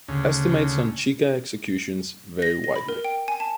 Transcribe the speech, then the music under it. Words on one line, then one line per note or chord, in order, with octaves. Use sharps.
Estimates on Cheka executions vary widely.
D2 C#3
A#6
A#6
B5
A#4
G5
G#5
A5